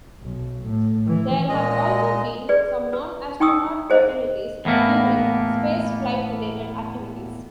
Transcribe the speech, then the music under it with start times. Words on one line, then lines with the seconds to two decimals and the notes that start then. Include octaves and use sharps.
There have also been some non-astronaut fatalities during spaceflight-related activities.
0.21 B1
0.65 A2
1.07 E3
1.49 A#2 G#3 D#5
2.49 G#4 B4 D5
2.93 B4
3.40 D#4 G5 C#6 D#6 E6
3.90 G#4 C5 D#5
4.65 E2 A2 A#3 B3